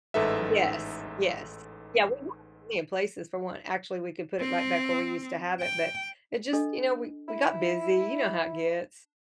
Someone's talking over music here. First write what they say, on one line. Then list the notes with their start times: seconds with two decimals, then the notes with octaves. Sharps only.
Yes, yes. Yeah, we want plenty of places for one actually, we could put it right back where we used to have it, but, it just, you know we we got busy, you know how it gets,
0.14 A1 G#2 D#4 A4 B4 E5
4.41 C4
5.61 G5
6.53 D4 A4 D#5
7.29 E4